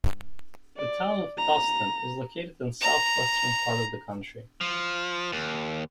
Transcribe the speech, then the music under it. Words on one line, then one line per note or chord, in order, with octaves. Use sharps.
The Town of Tusten is located in southwestern part of the county.
D5
A#5
A#5
F3
D#2